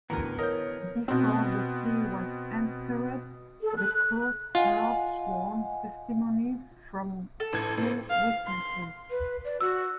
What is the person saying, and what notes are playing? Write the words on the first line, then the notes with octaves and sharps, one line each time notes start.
Before the plea was entered, the court heard sworn testimony from three witnesses.
A1 D2 E3 B3 A#4 A#5
A#4 C#5 D#5 G6
B2 C4
A4
F#6
F4 D#5 F#5 G#5
A4
A1 G#6
A1 C4
F5
C6
B4
D5
F#4 E6